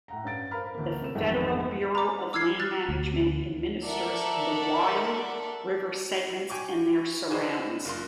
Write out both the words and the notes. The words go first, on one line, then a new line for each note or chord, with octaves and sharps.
The federal Bureau of Land Management administers the "wild" river segments and their surrounds.
A2 F#5 A#5
G2 C#4 F5 A6 D7
A#4 C5 F5 B5 F6
D2 E3 A#3
C3 A3 E7
G#1 F2 D#3 E3 F#3 G#3
A#5 D6
D6 E6 F6 G#6 C7
F6 F#6 A6
D2
A4 A#4 D5 E5 F#5
G5 G#5 C#6 D6
F#4 G#4 B4 C5 D5 D#5
F#1 F4 C6